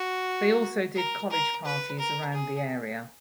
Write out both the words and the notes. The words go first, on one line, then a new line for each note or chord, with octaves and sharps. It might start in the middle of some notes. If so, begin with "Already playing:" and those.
They also did college parties around the area.
Already playing: F#4
A#4
A#4
B4
A#4
G#4